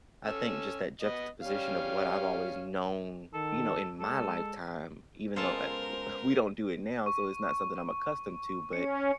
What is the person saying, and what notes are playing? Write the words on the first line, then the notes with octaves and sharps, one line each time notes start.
I think just that juxtaposition of what I've always known, you know, in my lifetime, even though, uh, u we don't do it now, so it's not something I'm accustomed to, but,
C#4 A4 E6
B3 D#5
G3 C#4 F5
D#3 A4
G#3 A4
C#2 G#3 B3 F4 A4 A#4 C5 A5
C#6
C#4 C#7